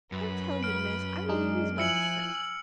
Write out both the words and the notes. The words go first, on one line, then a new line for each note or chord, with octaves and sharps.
I tell you, miss, I refuse my consent.
F#2 B4
F6 D7
G#3 D4 D#4 G#4
F3 E4 G#5 E6 F#6 C#7 F#7